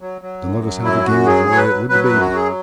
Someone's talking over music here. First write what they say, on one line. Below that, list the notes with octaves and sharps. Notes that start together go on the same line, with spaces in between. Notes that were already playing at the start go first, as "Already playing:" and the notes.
Then let us have a game of loriot with the baby!
F#3
F#3
F#2
F#3
F#2 E4
F#2 F#4
F#3 G#4
F#3 C#5
B4
F#3
F#3 B4
B4
F#2
F#4
F#3 G#4